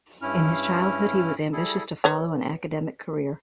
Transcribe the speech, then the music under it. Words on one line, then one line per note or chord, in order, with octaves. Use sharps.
In his childhood he was ambitious to follow an academic career.
G2 C#4 E4 F6
G3 E4 G#4 A4
B4 C#5 A#5